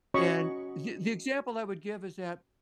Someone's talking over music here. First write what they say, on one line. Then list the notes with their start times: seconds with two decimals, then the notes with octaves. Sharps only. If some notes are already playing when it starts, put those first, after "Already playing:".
And the the example I would give is that
0.14 C#4 F#4 C#5 D#5 B5 C#6